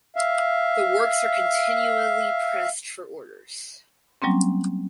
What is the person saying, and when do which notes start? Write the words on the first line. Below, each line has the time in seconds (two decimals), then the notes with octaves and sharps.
The works are continually pressed for orders.
0.16 E5 F5
4.22 F#3 G3 A#3 C4 C#4